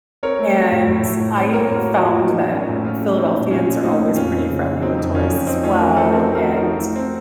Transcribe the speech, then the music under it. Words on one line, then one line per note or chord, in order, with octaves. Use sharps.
and I found that Philadelphians are always pretty friendly with tourists as well, and
C4 A#4 C#5
A3
A3
A2
A2
A3
A2
C4
A#3 A#4 C#5
A2
F#4 A#4
A#3
F#4 A#4
A2
F#3 D#4 F#4
F#3
A#3 C#4 F4
A2
F3 C#4 F4
A3
A3 C4 D#4
A#2
F3 C#4 F4
F3
A3 C4 D#4
A#2
F2 C#4 F4
C4
C#3
C4
F#3 C4 D#4
F2
F#3 C#4 F4
F2
C4 D#4
A3 C#4 F4
F3 F#4 A#4
A3 A4 C5
C4 F#4 A#4
A3
F#4 A#4
F3
F#4 A#4
F3
A3
C4